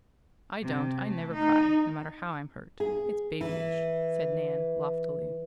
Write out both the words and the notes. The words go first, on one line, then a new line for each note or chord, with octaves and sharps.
"I don't, I never cry, no matter how I'm hurt; it's babyish," said Nan, loftily.
C3
A3
D#4
G#4
E3